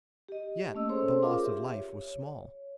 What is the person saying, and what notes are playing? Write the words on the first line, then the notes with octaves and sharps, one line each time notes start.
Yet the loss of life was small.
G4 D#5
A3 A#3 C#4 D#5 E6
C#4 G#4 A4 C5 C#5 C6
F4 G#4 A#4 F5 D6
G4 E5
C#5